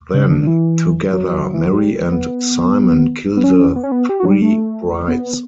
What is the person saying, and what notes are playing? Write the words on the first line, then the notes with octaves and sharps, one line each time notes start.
Then, together Mary and Simon kill the three brides.
C#3
D3
D3
E3
F#3
E3
F#3
G3
B3
B3
C#4
B3
C#4
B3
G4
F#4
F#3
G3
A3
B3